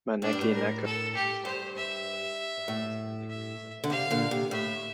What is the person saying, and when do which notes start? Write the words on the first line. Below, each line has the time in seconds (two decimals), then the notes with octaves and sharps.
"Maneki-neko" comes in different colors, styles and degrees of ornateness.
0.22 A2 D4
0.33 G2
0.41 A2
0.53 A#4
0.84 A4
1.15 G4
1.45 G2 C5
1.76 E5
2.68 A2
3.29 E5
3.84 D3
3.90 C3 F5
4.11 A#2 D3
4.31 C3
4.51 A2 E5